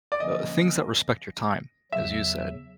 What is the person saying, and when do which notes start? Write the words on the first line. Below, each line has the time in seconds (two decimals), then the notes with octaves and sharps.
uh, things that respect your time, as you said
0.12 D5
0.20 D3 F3 A#3 C#4 D#5
1.92 E2 C#3 F#3 E5